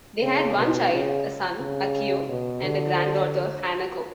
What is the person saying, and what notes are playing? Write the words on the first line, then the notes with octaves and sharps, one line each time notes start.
They had one child, a son, Akio, and a granddaughter, Hanako.
C#3
B2
C#3
C#3
B2
D3